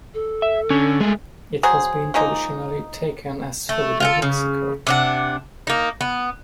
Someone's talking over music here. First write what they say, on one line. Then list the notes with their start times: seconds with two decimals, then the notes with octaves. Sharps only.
It has been traditionally taken as food in Mexico.
0.14 A4
0.42 E5
0.70 D3 C#4
1.01 G#3 A3 G#4
1.63 F#3 G#4 C5
2.14 F3 G#3 A#3 D#4
3.69 A3
4.00 F4 F#4 A4
4.22 C#3
4.87 C3 D4 F#5
5.67 A#3 D#4
6.01 B3